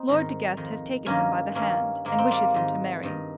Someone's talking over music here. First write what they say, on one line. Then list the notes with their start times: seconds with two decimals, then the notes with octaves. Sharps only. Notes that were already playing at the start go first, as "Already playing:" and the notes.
Lord De Guest has taken him by the hand, and wishes him to marry.
Already playing: C4 D#4
0.08 G#2 D#3
0.57 F2 D#3
1.06 G2 D#3 A#3 C#4
1.55 G2 D#3 A#3 C#4
2.05 G#2 D#3 A#3
2.18 C4
2.31 G3 A#3
2.54 G#2 D#3
3.03 G2 D#3